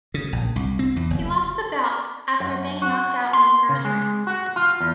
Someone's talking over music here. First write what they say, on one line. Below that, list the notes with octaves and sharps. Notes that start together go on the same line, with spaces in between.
He lost the bout after being knocked out in the first round.
C#3
A#1
C2
C4
E2
F#1
F#2
F#4
C6
C#3
G#3
F#4
F4
E2